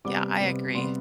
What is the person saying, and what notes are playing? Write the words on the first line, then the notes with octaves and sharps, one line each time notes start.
Yeah, I agree.
C3 G3 B3 D6
C3 G3 B3
C3 G3 B3 C6